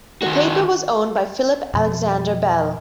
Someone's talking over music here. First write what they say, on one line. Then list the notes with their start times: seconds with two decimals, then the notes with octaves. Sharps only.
The paper was owned by Philip Alexander Bell.
0.22 D#3 F#4
1.73 F2 B2 F3